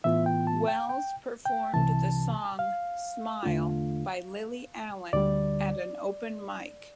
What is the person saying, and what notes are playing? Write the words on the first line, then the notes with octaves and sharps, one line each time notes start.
Wells performed the song "Smile" by Lily Allen at an open mic.
A2 E3 B3 F4 E5
G5
A5
G5
G5
G5
C2 C3 E3 A5
F5
E2 D3 A3 D4 F4
D2 D3 G3 D5